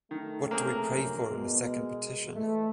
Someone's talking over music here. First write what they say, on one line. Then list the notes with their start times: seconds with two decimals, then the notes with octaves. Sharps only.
What do we pray for in the second petition?
0.11 D#3 A3
0.51 A#3 C4 C#4 G#4
0.83 A#1 F#2
1.29 B2 G#3
2.36 E3 A3